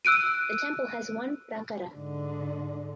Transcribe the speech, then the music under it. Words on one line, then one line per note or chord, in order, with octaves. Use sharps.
The temple has one prakara.
E6 F#6 D7 D#7
G#2 D3